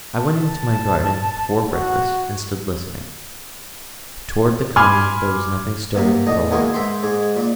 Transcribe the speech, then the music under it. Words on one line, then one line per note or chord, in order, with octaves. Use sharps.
I went into my garden before breakfast and stood listening, but towards the common there was nothing stirring but a lark.
A5
F#4
G#5 B5 C6 D6 F6 G#6
C3 A#3 B3
A1 D4 D#4 D#5 A5
B2 D#3 E3 G#3 A#3 B3
G#2 A#4 E5 G5 C6
G#2 G#3 D6
A#2 D5